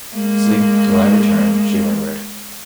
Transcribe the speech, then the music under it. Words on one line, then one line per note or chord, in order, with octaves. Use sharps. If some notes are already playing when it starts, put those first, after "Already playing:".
"Sleep till I return," she murmured.
G#3 A#3